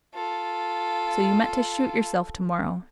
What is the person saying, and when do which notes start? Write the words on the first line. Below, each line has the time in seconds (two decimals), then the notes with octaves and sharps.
So you meant to shoot yourself to-morrow!
0.14 F4 A4